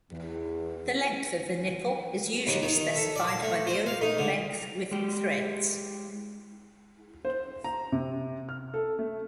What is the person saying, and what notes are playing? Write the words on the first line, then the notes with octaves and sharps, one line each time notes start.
The length of the nipple is usually specified by the overall length with threads.
E2
D#2
D#3
A4
D5
A5
A3
C5
F5
D#4
D3
G#3 G4
C5
A#5
C3
F6
A4
A3